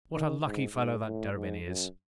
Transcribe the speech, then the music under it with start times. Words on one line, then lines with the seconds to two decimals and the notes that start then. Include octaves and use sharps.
What a lucky fellow that Derebin is!
0.14 D#3
0.45 G#2
0.74 G#2
1.05 A2
1.35 G#2
1.66 F#2